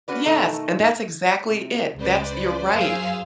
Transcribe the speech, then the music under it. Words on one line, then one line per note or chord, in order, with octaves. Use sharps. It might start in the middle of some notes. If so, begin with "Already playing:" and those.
Yes, and that's exactly it. That's you're right,
C#4 F#4 B4 D5
B2 D#3 A3 D#4 A4
C3
C#2 C#3 B4 C5 D5
F#2 F#3 G#4 C5 F5 E6